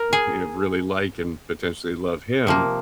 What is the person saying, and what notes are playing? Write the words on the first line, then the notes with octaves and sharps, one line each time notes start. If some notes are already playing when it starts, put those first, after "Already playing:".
you know, really like and potentially love him.
Already playing: A#4
G#4
C3 F3 A#3